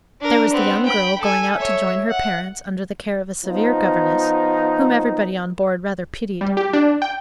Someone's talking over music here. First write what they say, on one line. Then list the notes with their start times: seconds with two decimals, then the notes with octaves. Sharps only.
There was the young girl going out to join her parents under the care of a severe governess, whom everybody on board rather pitied.
0.20 D4 A#4
0.52 B3 C4
0.85 G5 B5
1.21 A4 G#5
1.57 C#5 E5
2.10 F#5
3.46 F3 B3 D#4
6.41 G3
6.57 G4
6.73 D4
7.02 G5